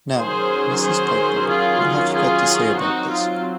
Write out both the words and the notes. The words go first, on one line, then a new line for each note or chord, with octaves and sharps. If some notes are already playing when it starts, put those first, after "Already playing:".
Now, Mrs. Piper, what have you got to say about this?
D#3 F#3 C#4 G#4 C5
G#4 C5
F4 G#4
F4 G#4
F#3 C4 D#4 F#4
F4